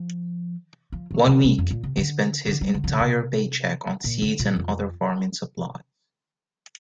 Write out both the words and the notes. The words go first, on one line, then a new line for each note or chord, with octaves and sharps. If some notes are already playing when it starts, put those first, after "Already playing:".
One week he spends his entire paycheck on seeds and other farming supplies.
Already playing: F3
F3
D3
F3
G3
F2
A#2
C3
D3
D3
G3
D3
F3
D3
C3
A#2
D3
A#2
F2